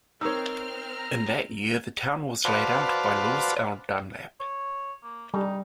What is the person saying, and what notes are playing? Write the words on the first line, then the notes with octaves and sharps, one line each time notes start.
In that year the town was laid out by Lewis L. Dunlap.
C4 D#4 A#4 C#5 E6 F6
A#5
F#4 B4 C5 D5 F5 A5
C#5
A#3
G3 D#4